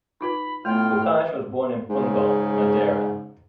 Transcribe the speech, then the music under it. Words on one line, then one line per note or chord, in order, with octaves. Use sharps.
Bocage was born in Funchal, Madeira.
D#4 F4 B4 B5
A2 A3 B3 F4 G5 F6
G#2 C#3